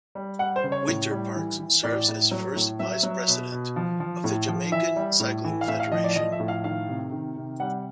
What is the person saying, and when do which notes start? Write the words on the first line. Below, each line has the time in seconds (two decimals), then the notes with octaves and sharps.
Wynter-Parks serves as first vice-president of the Jamaican Cycling Federation.
0.15 G3
0.39 G3 F#5
0.56 C5
0.63 C#3
0.72 C#5
0.88 A2
1.11 G3
1.36 E3
1.59 E3
1.83 A2 D5
2.08 A2
2.31 F#3
2.56 A2
2.79 F#3 E5
3.03 F#3
3.28 B2
3.52 B2
3.76 F3
4.00 F3
4.24 A2
4.48 F3
4.72 E3 E5
4.96 G3
5.20 A2
5.44 E3
5.61 F5
5.67 A2 E5
5.80 F5
5.92 F3 D#5
6.04 D5
6.16 F3 D#5
6.32 E5
6.40 A2
6.48 F5
6.64 D#3 F5
6.88 C3
7.12 D#3
7.37 C3
7.60 G3 F#5